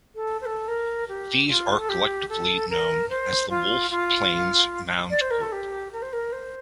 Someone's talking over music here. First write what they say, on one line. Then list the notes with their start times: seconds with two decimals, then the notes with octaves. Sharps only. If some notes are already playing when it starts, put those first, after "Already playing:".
These are collectively known as the Wolf Plains Mound Group.
0.15 A4
0.41 C5
0.45 A4
0.68 A#4
1.08 G4
1.49 F4
1.78 A4
1.89 G4
2.29 A4
2.69 A#4
3.09 C5
3.50 F4
3.90 F4
5.10 D5
5.21 C5
5.30 A#4
5.41 A4
5.52 G4
5.92 A#4
6.02 C5
6.13 A#4
6.32 C5